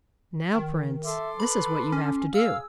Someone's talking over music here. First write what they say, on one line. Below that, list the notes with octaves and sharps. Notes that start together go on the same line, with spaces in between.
'Now, Prince, this is what you have to do.
D#3
A4 E5 C6 D6
B4 B5
C#4
G#4 F5 E6